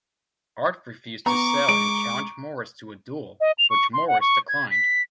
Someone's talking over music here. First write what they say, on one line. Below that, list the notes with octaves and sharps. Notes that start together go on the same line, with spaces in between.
Art refused to sell and challenged Morris to a duel, which Morris declined.
B3 A#5 C#6 D6
G#3 D7
D#5
F7
C#6
C6
F#5
C#6
G#6
B6